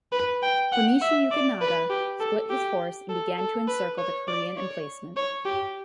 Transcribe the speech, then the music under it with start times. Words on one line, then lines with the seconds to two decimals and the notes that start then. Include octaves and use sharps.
Konishi Yukinaga split his force and began to encircle the Korean emplacement.
0.12 B4
0.43 G5
0.72 F#5
1.02 E5
1.31 D5
1.61 B4
1.90 G4
2.20 A4
2.50 G4
3.09 A4
3.38 A4
3.68 B4
3.98 C#5
4.28 D5
4.58 C#5
5.16 C#5
5.46 G4